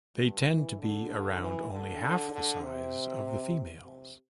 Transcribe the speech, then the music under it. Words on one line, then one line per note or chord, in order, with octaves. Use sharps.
They tend to be around only half the size of the females.
G2
E3
D3
D3
E3
D3
D3
D3
C3
C3